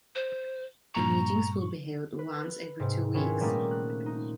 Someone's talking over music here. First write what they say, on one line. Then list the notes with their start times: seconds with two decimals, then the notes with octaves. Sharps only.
The meetings will be held once every two weeks.
0.15 C5
0.94 G2 A#2 A#5 C#6
2.19 B4
2.80 G#2 C3
3.14 D#3 C4 C#4 E4 F4 B4
3.40 A#2 G3 A3 A#3 D#4
3.71 F#6
4.06 D#4